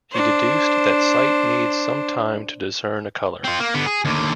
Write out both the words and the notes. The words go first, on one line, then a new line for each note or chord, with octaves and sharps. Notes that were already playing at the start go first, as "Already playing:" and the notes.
He deducted that sight needs some time to discern a color.
D4 C5
C4 F4
A#3
D3 B3
G#4
D#2 D3